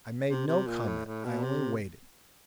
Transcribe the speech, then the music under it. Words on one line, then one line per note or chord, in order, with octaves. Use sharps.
I made no comment; I only waited.
C3
C3
A#2
A2
A2
B2
C3